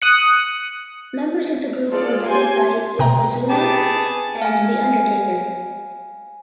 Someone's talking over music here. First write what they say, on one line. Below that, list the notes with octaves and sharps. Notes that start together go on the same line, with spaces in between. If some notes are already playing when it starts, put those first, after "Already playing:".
Members of the group were vetted by Yokozuna and The Undertaker.
D#6 F#6 C#7
F4 G#4 A4 D5
G4 G#5 C6
B2 G5 A#5
B3 G4 G#4 A5
F5 G#5